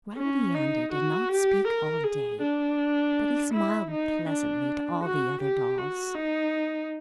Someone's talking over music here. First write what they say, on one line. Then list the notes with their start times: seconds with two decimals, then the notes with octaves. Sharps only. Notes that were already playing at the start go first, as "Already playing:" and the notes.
Raggedy Andy did not speak all day, but he smiled pleasantly to all the other dolls.
0.17 C#4
0.54 D#4
0.92 F#4
1.28 G4
1.67 A#4
2.03 G#4
2.41 D4
3.53 E4
3.91 D#4
4.29 D4
5.04 F#4
5.41 G4
5.78 F#4
6.15 D#4